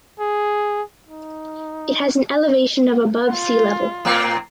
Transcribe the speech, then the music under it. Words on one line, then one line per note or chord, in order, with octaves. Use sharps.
It has an elevation of above sea level.
G#4
D#4
F4
A2 A#3 C4